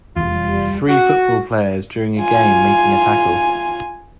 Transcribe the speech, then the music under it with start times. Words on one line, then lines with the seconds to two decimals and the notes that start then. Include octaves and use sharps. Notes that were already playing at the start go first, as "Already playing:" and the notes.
Three football players during a game, making a tackle.
0.16 F1 E2 G3 F4
0.89 F#4
2.19 F4 G#5